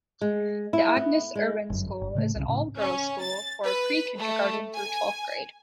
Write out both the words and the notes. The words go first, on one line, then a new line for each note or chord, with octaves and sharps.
The Agnes Irwin School is an all-girls school for prekindergarten through twelfth grade.
G#3
E4
B3
G#3
G1 F#2
G1
A2 C#3 A3
C2 C#3
A2 C#3
C#4
A6
B4
A3
G#5